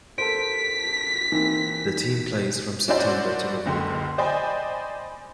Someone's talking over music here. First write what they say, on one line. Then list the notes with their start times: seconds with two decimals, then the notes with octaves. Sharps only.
The team plays from September to November.
0.18 A4 A#4 C5 B6 D7
1.32 E3 A#3 C4 D#4
2.88 C#4 D4 E4 F#4 C5 D5
3.66 F#1 C#2 D3 G5 C6
4.18 C5 D5 D#5 G5 G#5 B5